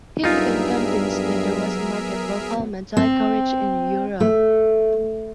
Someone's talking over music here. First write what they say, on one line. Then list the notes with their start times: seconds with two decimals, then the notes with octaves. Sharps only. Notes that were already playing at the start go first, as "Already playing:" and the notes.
He became convinced that there was a market for Pullman type carriages in Europe.
0.24 G2 F#3 B3 D#4 F4 G#4 A#4 E5
2.97 C4
4.20 A3